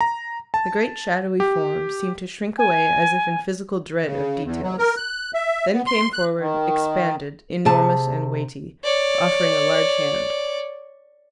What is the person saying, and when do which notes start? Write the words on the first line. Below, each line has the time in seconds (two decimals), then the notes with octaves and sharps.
The great shadowy form seemed to shrink away as if in physical dread of details; then came forward, expanded, enormous, and weighty, offering a large hand.
0.01 A#5
0.54 A5
1.40 G4
2.58 G#5
4.05 C#3
4.44 E2
4.63 F#3
4.79 A#4
4.97 F#6
5.34 E5
5.72 B3
5.86 C6
6.13 F#6
6.39 D#3
7.65 C3 G#4 A5
8.84 C#5 D5